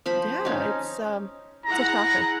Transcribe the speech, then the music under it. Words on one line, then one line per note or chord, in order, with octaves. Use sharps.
Yeah, it's, um, it's a shocker.
F3 C5 B5
C#4 D#4
E4 G#4 F#5 A#5